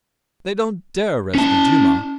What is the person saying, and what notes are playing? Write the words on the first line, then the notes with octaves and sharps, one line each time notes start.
They don't dare arrest the Duma!
C#4 A5